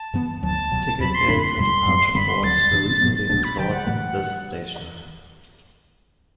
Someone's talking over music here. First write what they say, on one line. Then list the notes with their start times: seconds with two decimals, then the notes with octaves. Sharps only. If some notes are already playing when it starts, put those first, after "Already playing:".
Ticket gates and departure boards were recently installed at this station.
Already playing: A5
0.14 G2 E3 B3
0.42 D2 D3 F#3 A5
0.71 C2 B2 F#3
1.00 E2 C3 F#3 C4 B5
1.15 C6
1.28 F#2 D3 A3 D4 B5
1.43 C6
1.57 E2 B2 G3 C6
1.86 F#2 F#3 C4
2.14 F#2 D3 G3 C4 B5
2.28 C6
2.43 D2 D3 F#3 A6
2.72 G2 E3 A3 D4
3.01 G2 F#3 B3
3.29 C2 B2 A3 D4 A6
3.44 B5
3.58 G2 D3 F#3 G5
3.72 F#5
3.87 A2 E3 A3 F#5